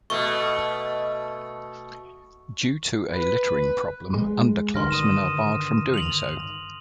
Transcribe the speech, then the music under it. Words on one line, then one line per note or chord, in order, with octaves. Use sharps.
Due to a littering problem, underclassmen are barred from doing so.
B2 A3 C#6
B4
G#3
G2 D3 D#3 C6 F6 A#6
D#6 D#7 E7
F7 F#7